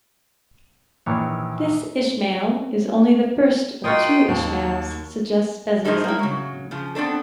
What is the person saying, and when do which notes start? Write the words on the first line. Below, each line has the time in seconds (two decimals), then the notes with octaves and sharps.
This Ishmael is only the first of two Ishmaels, suggests Bezanson.
1.06 A#1 D#3 E3 C#5
3.84 D#4 F4 F#4 A#4 D#5 G5 C6 D#6
4.28 D#2 A#3 A5
5.85 A2 G#3 D#4 G#4 A#4 C5
6.04 A#3 E4
6.19 C#3 F#3
6.71 C#3 F3
6.95 B3 C4 D4 A4